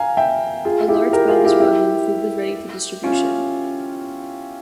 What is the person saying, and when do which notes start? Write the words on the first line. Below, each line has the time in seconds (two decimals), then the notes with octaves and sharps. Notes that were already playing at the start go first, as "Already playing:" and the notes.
A large bell was rung when the food was ready for distribution.
Already playing: F5 G#5 A#5
0.17 E5 G5
0.65 F4 G#4
0.88 E4 G4
1.13 G4 A#4
1.28 F4 G#4
1.45 E4 G4
1.60 E4 G4
3.03 C#4 F4